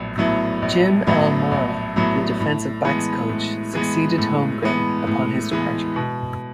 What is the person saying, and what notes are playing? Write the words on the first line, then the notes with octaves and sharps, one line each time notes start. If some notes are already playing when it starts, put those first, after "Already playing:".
Jim L. Mora, the defensive backs coach, succeeded Holmgren upon his departure.
Already playing: A#1 A2 F#3 B3
A2 F#3 B3 E4
A#1
A2 F#3 B3 E4
A#1
A2 F#3 B3 E4
A2
E3 G#3 B3
A2
E3 G#3 B3
A2
E3 G#3 B3
A2
E3 G#3 B3
B2